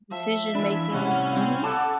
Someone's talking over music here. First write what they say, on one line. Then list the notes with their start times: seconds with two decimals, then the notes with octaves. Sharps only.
Decision making, mhm.
0.11 F3 E5
0.55 E3 D4 B5
0.92 A2 C3 G3 C#4 E5 F#5 B5
1.32 C4 F5
1.64 A4 D5 F#5 A5 D6